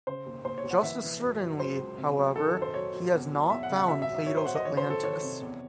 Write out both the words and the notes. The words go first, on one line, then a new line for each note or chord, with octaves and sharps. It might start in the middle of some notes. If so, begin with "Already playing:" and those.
Just as certainly, however, he has not found Plato's Atlantis.
C#3 C5
D#2
D#2 C5
C#5
D#2
F#5
E3 E5
E3
F#2
F#2
F#3 C5
C#2
C3
F#3
D#3 A4
A4
F#2
C5
F#2 C#5
F#3
E2
F#3
E2 E5
F#5
C#3
F#5
F#3 E5
E5
F#3
E5
F#3 C#5
C5
F#3 F#5
D#5
D#3 C#5
C5
F#3
A4
D#3 C#5
C3
E2